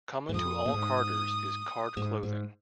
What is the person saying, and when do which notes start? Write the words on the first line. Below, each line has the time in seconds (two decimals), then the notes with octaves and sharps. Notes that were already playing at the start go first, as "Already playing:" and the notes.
Common to all carders is card clothing.
0.29 G#2
0.33 F2 D#6
0.66 A#2
0.74 G#2
1.97 G#2
2.23 G#2